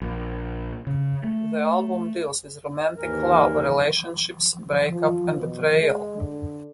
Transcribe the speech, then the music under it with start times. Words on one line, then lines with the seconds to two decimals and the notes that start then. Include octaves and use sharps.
The album deals with romantic love, relationships, break up and betrayal.
0.02 A#1
0.87 C#3
1.24 A3
2.96 D#2 G#2 E3 A#4
4.92 F3
5.36 B2
5.81 G#3
6.17 D3